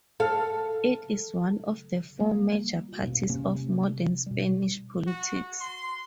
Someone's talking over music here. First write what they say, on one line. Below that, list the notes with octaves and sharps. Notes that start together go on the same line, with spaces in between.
It is one of the four major parties of modern Spanish politics.
A4 F5
G3 A#3
A1 E2 B2 A#3
C3 A#3 C#4
B2 G3
F#4
C6